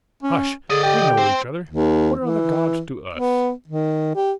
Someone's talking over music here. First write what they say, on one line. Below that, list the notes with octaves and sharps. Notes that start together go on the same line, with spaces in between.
'Hush! we know each other--what are the gods to us?'
C#4
D3 G#4 D5 D#5
G4 G5
C4 C5
D#2
E3
B3
D#3
G4